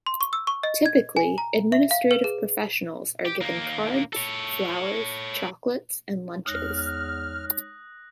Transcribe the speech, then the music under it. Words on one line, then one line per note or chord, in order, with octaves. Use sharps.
Typically administrative professionals are given cards, flowers, chocolates, and lunches.
C6
C#6
E6
C#6
D#5
G#6
G#5
A#5
E5
F5
B4
G#4
G4
D#2 A#3
A4 C#5
E2 G#3 D#4 C#5 D#6 F6 F#6 A#6